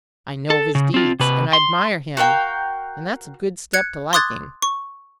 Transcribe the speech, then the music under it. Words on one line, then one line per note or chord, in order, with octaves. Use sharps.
"I know of his deeds, and I admire him, and that's a good step to liking."
A4
C#3
C4 F4
C3 B4
C6
F#4 A#4 F5 G5
F#6 G#6 C#7
C6 D6 D#6 F#6 G#6 A6
C#6